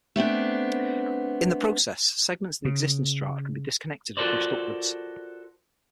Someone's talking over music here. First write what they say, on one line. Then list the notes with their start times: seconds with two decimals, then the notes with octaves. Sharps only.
In the process, segments of the existing strata can be disconnected and pushed upwards.
0.16 A3 B3 C4 D4
2.65 C#3
4.17 F4 F#4 A4 A#4 C5 D5